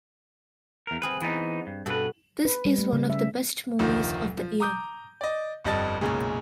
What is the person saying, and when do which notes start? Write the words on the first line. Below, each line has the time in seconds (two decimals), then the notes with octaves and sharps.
This is one of the best movies of the year.
0.87 E2 A#4
1.02 C4 G#4 B4 F5
1.22 E3 B3 D#4
1.67 G2
1.86 G2 B2 F#4 A4 B4
2.45 B4
2.65 G3
2.78 A3
2.93 C#3
3.10 E5
3.79 F1 D2 D#3 F3
4.37 F3
4.60 A#5 D6 D#6 G6
5.21 D5 D#5
5.64 G1 F2 G3 D#5 A5 A6
6.01 B1 F#2 A#2 C#3 G#3